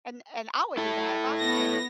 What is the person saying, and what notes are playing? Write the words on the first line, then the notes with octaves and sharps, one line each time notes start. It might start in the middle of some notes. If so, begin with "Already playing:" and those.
And and I would do that if I became a
E4 A4
B3 A#6